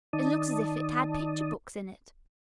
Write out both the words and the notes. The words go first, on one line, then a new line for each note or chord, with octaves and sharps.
"It looks as if it had picture-books in it."
D#3 D#4 D5 A5 D#6